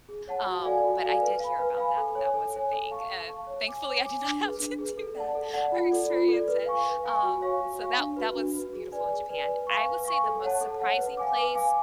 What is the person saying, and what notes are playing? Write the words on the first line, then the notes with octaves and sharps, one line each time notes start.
Um, but I did hear about that, that that was a thing. Uh, thankfully, I did not have to do that or experience it, um, so that that was beautiful in Japan. I would say the most surprising place
G#4
C#5 F#5 A5
F#4
A4 D5 F5 G#5
F#4
A4 D5 F5 G#5
B4
F5 G#5 B5
B4
F5 G#5 B5
A4
C#5 G#5
A4
C#5 G#5
A4
F5 A5 C#6
A4
F5 A5 C#6
C#5
G#5 D6
C#5
G#5 D6
D4
G#4 B4
D4
G#4 B4
A4
D5 F#5 A5
A4
D5 F#5 A5
F4
A4 D5
F4
A4 D5
B4
F5 G#5 C#6
B4
F5 G#5 C#6
F#4
C#5 F5 G#5 C#6
F#4
C#5 F5 G#5 C#6
D4
F#4 B4
D4
F#4 B4
G#4
B4 D5 G#5
G#4
B4 D5 G#5
B4
F5 G#5 C#6
B4
F5 G#5 C#6
A4
C#5 F#5 A5
A4
C#5 F#5 A5
B4
F5 G#5 D6
B4
F5 G#5 D6